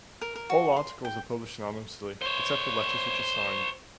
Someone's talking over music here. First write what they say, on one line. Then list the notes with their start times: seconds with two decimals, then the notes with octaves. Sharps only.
All articles are published anonymously, except for letters which are signed.
0.21 A#4
0.36 A#4
0.50 F#4
0.76 C6
1.05 G5
2.22 C5 C#5